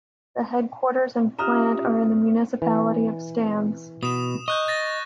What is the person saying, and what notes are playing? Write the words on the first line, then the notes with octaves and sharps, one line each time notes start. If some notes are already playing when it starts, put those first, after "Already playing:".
The headquarters and plant are in the municipality of Stans.
C#4 F4 G4 E5 A#5 D#6 F6
E3
B2 D#6 E7
D#5 C#6 F#6 G6
A6 A#6